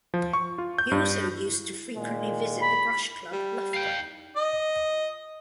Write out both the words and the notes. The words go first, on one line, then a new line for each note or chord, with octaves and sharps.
He also used to frequently visit the Brush club, Loughborough.
F3
C#6
F4
G6
G2
A#2 D#3 G#3
B5
G3
F5 G5
D#5